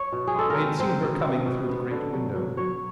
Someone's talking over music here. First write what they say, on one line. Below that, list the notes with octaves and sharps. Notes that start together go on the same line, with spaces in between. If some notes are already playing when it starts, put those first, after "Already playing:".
I had seen her coming through the great window.
Already playing: C#5
B2
G#4
G#3 A4
A#4
C4
C4 C5
B2
C4
B2
B3
D3
F#3
F#3
F#3 C#5